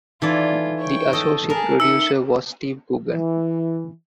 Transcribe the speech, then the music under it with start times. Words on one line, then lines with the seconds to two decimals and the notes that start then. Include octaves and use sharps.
The associate producer was Steve Coogan.
0.22 E3 D#4 F4 A4 D5 G#6
0.79 C#5 G5
1.13 A4 D#5
1.50 G#4 A#4 A5
1.80 D#4 E5 E6 C#7
3.08 E3